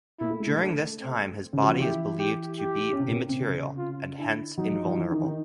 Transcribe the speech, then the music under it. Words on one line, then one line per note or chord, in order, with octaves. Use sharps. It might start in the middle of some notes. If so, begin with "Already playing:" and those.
During this time his body is believed to be immaterial and hence invulnerable.
A#2 A#3 E4
A3
G#3
G#3
A3 D4
C4
C#3 C#4
F#4
F3 F4
E3 E4 G4
G4
G4
C#4
C3 C4
A#2 A#3
C3 C4
C#3 C#4
F4
D3 D4 E4
F#3 D#4 F#4
F3 F4
F3 F4
E3 E4
D#3 D#4
D#3 D#4